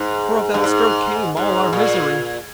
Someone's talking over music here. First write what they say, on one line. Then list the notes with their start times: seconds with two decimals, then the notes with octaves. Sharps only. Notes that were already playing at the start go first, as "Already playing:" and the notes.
For of that stroke came all our misery.
Already playing: G#2
0.54 G2
0.64 G#2
1.37 G#2
1.73 A#2